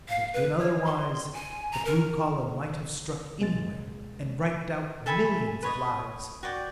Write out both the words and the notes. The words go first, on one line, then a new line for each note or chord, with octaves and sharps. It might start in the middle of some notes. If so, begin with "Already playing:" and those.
Had it been otherwise, the blue column might have struck anywhere, and wiped out millions of lives!
F5
B4
C#5
C6
G#5
A#5
A#4
C#2 B2 G#3 A#3 A6
A4 E5 G#5 B5
B4 C#5 D#5
F#4 D5 G5